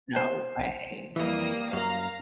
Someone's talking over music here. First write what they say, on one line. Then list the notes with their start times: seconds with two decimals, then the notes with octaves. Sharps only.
No way.
0.16 C5
1.16 F2 E3 G3 A#3 D#6
1.73 F#2 A#3 F5 A#5